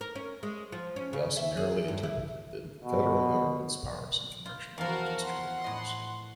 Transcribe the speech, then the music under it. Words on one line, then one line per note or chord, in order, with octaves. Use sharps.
They also narrowly interpreted the Federal government's powers in commercial and industrial matters.
A#4
C#4
G#3
F3
C#4
C#3
E5
G#4
G2
E4
B2
F4
E2 F3 F#4 A#4 F5
F#5 C6
A2 D#5